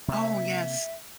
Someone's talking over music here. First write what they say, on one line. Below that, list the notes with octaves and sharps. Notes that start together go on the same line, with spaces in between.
Oh, yes.
C3 A#3 E5